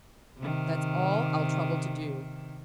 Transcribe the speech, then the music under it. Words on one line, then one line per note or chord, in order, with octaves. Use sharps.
That's all I'll trouble to do.
C3 D#3